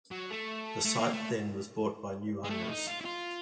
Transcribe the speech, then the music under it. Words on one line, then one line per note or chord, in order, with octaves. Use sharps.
The site then was bought by new owners.
F#3
A3
A3
A#3
A3
G#3
A3
E4
D#4
F4
E4
F4